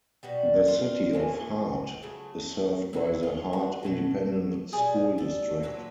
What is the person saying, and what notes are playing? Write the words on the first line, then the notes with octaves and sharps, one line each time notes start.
The city of Hart is served by the Hart Independent School District.
B2 G3 F#4
F4
A2 E3 G#3
C#3 F#3 A3
C3 D#3 F#3 E4
F4
F#4
B2 F#3 A3
B2 G3 G#4
A4
A#2 F#3 A3 B4